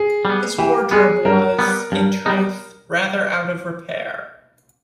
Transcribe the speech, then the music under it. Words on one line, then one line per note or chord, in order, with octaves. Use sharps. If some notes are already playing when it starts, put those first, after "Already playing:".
His wardrobe was, in truth, rather out of repair.
Already playing: G#4
G3 B3
E3 G4
G#3 B3 G#4
G2 A#4
G3 B3
G2
G3 B3 D#4